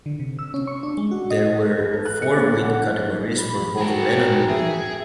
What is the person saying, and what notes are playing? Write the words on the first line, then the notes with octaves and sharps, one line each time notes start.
There were four weight categories for both men and women.
D3
C3
E6
C#4
C#6
D4
G#3
F#4
D#5
A#4
B4
A4
F#6
C#7
A#3
F#6
F#5
E4
D#4
B5
F#4 G#4 A#4 G5
G#4 E5